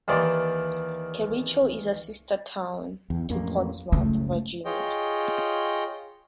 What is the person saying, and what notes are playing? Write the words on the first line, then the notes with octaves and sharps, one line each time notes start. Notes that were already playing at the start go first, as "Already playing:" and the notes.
Kericho is a sister town to Portsmouth, Virginia.
D#2 D#3 E3 D5 C6
E2
A1 F2 A#3
F#1 C#2 A3
F4 G#4 C#5 D#5 G5